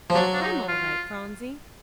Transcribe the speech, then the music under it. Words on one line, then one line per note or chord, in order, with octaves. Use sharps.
I'm all right, Phronsie.
F3
F#3 D4
D4
D#4
F4